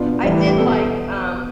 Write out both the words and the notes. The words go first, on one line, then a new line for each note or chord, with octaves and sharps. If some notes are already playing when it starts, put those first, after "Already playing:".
I did, like, um,
Already playing: B2 B3 D4 F4
A2 E3 G3 D5
B4
G4
B2 B3 E4 A4